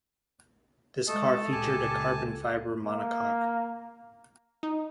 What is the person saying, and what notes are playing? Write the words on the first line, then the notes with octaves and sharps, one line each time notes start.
This car featured a carbon fiber monocoque.
G#3 A3 A4 D#5
C#2 A#2 G4 G#5 A5
A#3
D#4